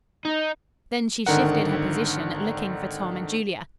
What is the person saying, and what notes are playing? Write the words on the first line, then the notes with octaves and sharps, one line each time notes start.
Then she shifted her position, looking for Tom and Julia.
D#4
G#1 D3 D#3 A#4 F#5